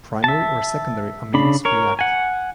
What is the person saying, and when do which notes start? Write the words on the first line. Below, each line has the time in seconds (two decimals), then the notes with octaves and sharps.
Primary or secondary amines react.
0.24 E5 A5
1.34 C#3 D4 B5
1.65 A#4 C#5
1.99 F#5 G#5